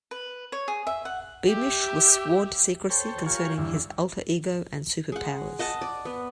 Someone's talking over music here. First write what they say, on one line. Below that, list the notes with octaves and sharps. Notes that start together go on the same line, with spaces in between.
Beamish was sworn to secrecy concerning his alter-ego and super-powers.
B4
C#5
G#4
E5
F#5
G4 E5
A4 C5 C#5 G5
F4 G4 A#4 C#5 G#5 C#6
E2 G2 D3 E3
G#3 F#5
D#5 F#5 A5
D5
B3